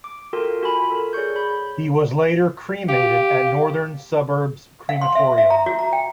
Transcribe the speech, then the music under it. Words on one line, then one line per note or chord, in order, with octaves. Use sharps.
He was later cremated at Northern Suburbs Crematorium.
D6
F4 F#4 A4 A#4 G5 C6
F4 F#4 G#5 B5
A4 A#4
G#4 C#5 D5 C#6 G6
C#5 B5 G6
G4 F5
F5
C6
E5
E5
A#5
F#4
A#5
G5